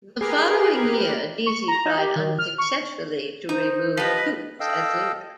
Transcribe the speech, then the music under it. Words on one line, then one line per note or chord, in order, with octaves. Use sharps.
The following year Deasy tried unsuccessfully to remove Dukes as leader.
G4 G#4 A#4 B4
C#6
A#5
D#4
G4
D#3
F6
C#6
D#4 C5
F3 G4 B4 D#5
A4 D#5 F5 G5 E6